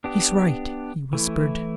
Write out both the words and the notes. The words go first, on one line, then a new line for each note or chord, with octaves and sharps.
"He's right!" he whispered.
B3 D4 G4
E3 A3 E4